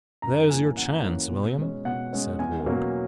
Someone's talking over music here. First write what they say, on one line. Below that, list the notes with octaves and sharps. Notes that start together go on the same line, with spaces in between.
"There's your chance, William," said Ward.
F#2 A#5
E3 A#3 C#4 G#5
F#2 F#5
E3 A#3 C#4
B2
G#3 C#4
B2 F#5
G#3 C#4
E2 G#5
B2 F#3 A#3 C#4